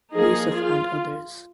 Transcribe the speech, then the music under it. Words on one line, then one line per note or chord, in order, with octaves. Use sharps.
Yusuf and others.
F3 A#3 D#4 G#4
F4